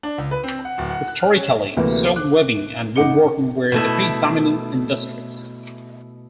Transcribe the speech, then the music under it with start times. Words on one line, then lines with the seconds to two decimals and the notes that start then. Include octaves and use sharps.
Historically, silk weaving and woodworking were the predominant industries.
0.03 D4
0.18 C#2
0.31 B4
0.43 C4
0.65 F#5
0.78 D1
0.90 F#5
1.08 F#6
1.20 F6
1.34 C#4
1.77 D2 C3 E3 F#3 A#3 B3
2.16 D6 F#6
2.96 A1 D#4 F#5 D6 C#7 G7
3.72 B2 A3 E4